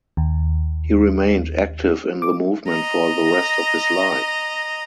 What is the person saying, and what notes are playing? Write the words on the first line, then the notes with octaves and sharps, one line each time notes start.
He remained active in the movement for the rest of his life.
D#2
D6
D#5 A#5